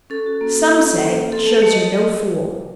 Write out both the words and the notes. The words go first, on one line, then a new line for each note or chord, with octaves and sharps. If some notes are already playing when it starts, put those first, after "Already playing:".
Some say "it shows you're no fool."
C#4 A4
F#4
A#3
F#4
C#4
A#3
A#3
A#3
C4 A4
A3
A4
A3
D#5